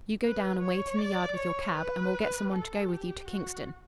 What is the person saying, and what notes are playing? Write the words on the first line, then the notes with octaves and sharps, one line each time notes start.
You go down and wait in the yard with your cab, and we'll get some one to go with you to Kingston.
B4
C#5
D5
C#5
B4
A4
G4
F#4